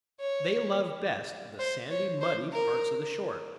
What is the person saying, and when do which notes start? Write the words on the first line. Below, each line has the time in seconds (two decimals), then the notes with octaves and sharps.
They love best the sandy, muddy parts of the shore.
0.20 C#5
1.59 C5
1.91 C#5
2.21 C5
2.52 A#4